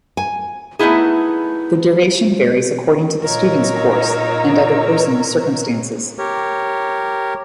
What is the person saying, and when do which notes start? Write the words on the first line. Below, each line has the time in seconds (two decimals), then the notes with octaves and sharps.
The duration varies according to the student's course, and other personal circumstances.
0.17 G#5
0.79 A3 B3 D#4 E4 G#4
3.23 A#2 D#4 A#4 C#5 A#5 E6
6.18 G4 A#4 C#5